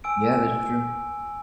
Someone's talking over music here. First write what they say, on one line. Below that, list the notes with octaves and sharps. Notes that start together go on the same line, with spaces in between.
Yeah, that's true.
G#5 E6 D7